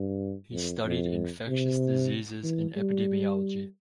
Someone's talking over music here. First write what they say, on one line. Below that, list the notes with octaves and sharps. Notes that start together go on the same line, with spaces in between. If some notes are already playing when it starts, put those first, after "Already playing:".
He studied infectious diseases and epidemiology.
Already playing: G2
F2
F2
C3
E3
G3